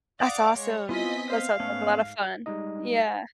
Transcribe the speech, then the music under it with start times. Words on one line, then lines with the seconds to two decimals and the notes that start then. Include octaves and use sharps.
That's awesome. That sounds like a lot of fun. Yeah.
0.20 D5 F5 F#5 D6 D#6
0.56 G#3 C#5
0.89 B3 C4 E4 F4 D#5 G#5 B6
1.30 C5 F5
1.60 G#2 A3 B3 C#4
2.46 G3 G#3 D#4 D#5